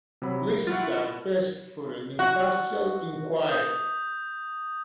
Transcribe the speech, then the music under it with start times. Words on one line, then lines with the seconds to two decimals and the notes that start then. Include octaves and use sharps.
Leicester pressed for an impartial inquiry.
0.22 C3 F#3 B5
0.67 E4 F4 F#5 C#6 A6
2.19 F#4
3.49 D#6 G6